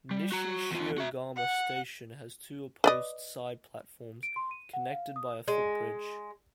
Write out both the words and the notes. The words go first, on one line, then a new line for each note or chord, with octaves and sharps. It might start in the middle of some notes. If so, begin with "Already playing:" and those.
Nishi-Shiogama Station has two opposed side platforms connected by a footbridge.
G3
F#4 A#5
E2 F4
F#4 E5
F#5
B4 D5 D#5
D7
C6
D#7
F#5
F5
D#6
G#3